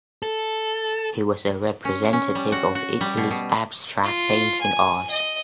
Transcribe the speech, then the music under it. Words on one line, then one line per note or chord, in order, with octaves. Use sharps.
He was a representative of Italy’s abstract painting art.
A4
C#4
C#4
G3
F#4
F#4
G3
B2
B2
F4
G#5
D#5